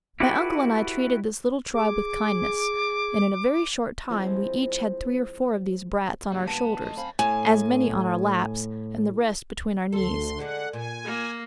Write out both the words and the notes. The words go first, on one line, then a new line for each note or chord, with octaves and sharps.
My uncle and I treated this little tribe with kindness; and in a very short time we each had three or four of these brats on our shoulders, as many on our laps, and the rest between our knees.
E4 F#4 G4 A4 B4
G#4 D6
F3 G#3 C4 E4
C#2 G2 G3 A#3
B3 A5
F2 A3 D#5
F#2 C4 F5 G#5 B5
A2 G#5
D2 A4 C6
D3 G#3 D4 F#5
A#2 G#5
A#3